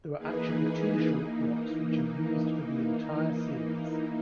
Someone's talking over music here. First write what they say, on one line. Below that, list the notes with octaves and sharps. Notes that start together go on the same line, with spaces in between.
There are actually two short blocks which are used for the entire series.
E3 A#3 D#4 G#4 B4
E3 A#3 D#4